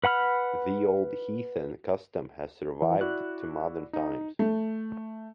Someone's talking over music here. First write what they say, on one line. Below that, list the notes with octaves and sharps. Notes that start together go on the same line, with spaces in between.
The old heathen custom has survived to modern times.
B4 F#5 B5 F6
E3
E4 F#4 D5 F#6
D#4
A3